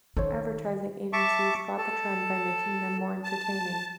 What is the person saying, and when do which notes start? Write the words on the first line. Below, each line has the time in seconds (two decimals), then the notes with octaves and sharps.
Advertising agencies fought the trend by making them more entertaining.
0.17 D#3 A4 C5 C#5
1.13 E5 A5 C#6 D6
1.78 A4 A5
3.24 A5